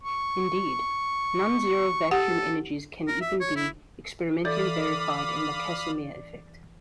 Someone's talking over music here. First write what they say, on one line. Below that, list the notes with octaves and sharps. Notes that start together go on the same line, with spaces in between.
Indeed, nonzero vacuum energies can even be experimentally verified in the Casimir effect.
C#6
G4 A4 F#5
A#4
E5
C#5
E4
E3 A4 D5 F5 B5 D6 D#6